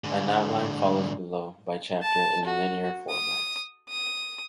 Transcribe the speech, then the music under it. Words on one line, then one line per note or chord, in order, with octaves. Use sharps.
An outline follows below, by Chapter, in linear format.
G#2 D3
A5
F#4
D#6
D#6